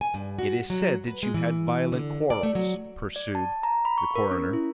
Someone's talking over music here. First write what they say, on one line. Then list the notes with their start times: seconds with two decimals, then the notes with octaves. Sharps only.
"It is said that you had violent quarrels," pursued the coroner.
0.01 G#5
0.14 G2
0.39 F#4
0.70 F#3
1.08 B4
1.23 G#3
1.34 E3
1.92 D3
2.30 D5
2.43 A3
2.55 F#3
3.16 D5
3.35 A5
3.63 A#5
3.85 B5
3.98 C#6
4.16 A#4
4.31 C#4
4.53 E4